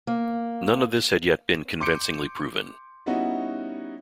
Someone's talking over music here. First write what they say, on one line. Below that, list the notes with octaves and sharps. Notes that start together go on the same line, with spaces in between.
None of this had yet been convincingly proven.
A#3
C6 D6 G6 C#7 D7
G3 B3 C#4 D#4 E4 F#4